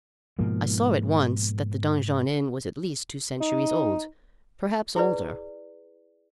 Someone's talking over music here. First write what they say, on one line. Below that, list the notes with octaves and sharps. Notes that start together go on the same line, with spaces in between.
I saw at once that the Donjon Inn was at least two centuries old--perhaps older.
G#2 B2 F3 A#3
D#4
E4 G#4 B4 D5